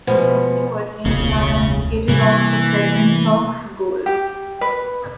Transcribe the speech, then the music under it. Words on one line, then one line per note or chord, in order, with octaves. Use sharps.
Galamsey workings are an indicator of the presence of gold.
B2 F3 G#3 B3
E1 C#2 C#3
C3 E3 G3 A#3
G4
B4